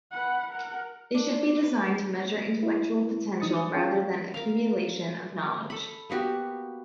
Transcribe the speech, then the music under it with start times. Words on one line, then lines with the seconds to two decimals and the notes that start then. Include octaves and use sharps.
They should be designed to measure intellectual potential rather than accumulation of knowledge.
0.11 B4 F#5
0.50 A#4 F#5
1.15 D4
1.64 B4
2.63 E4
3.40 E3 D#4 D#6 A6 C#7
3.73 C#4 F4 G#4 C#5 G5
4.34 A#4 F5
5.70 A4 B5
6.10 A#3 B3 F#4 G4